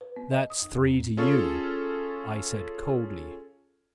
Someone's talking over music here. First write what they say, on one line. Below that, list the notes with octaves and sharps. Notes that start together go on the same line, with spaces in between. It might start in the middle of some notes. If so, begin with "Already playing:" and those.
"That's three to you," I said coldly.
B4
B3
D#5
D#6
F2
E2
C4
C#4 F4 G#4 A4 C#5